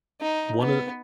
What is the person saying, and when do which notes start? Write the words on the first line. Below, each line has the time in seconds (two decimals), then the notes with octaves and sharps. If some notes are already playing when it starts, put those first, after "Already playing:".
one of
0.21 D#4
0.61 B3